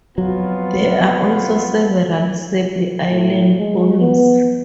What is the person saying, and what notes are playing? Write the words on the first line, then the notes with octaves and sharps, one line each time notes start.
There are also several Sable Island Ponies.
F2 F#3 B3 F4
A2
G#3
B3